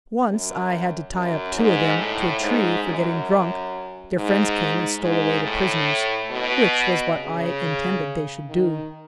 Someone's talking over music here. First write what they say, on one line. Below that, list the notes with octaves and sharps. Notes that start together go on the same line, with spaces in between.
Once I had to tie up two of them to a tree for getting drunk; their friends came and stole away the prisoners--which was what I intended they should do.
F#2
F#2
G#2
A2
G#2
F#2
G#2
G#2
A2
B2
C#3
D#3